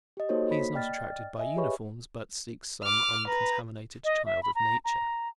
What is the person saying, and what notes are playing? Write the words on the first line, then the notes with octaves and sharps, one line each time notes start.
He is not attracted by uniforms, but seeks some uncontaminated child of nature.
G4 D#5
A#3 D#4 F#4 A4 C5 C#5
A#3 B5 B6
D5 D#5 G5 F6 A6
D#5 E5 G#5
G4 G#4 B4 C#5 B5 C#6
D6 F6
B4 A#5
D#5
E5
B5
A#5
A#5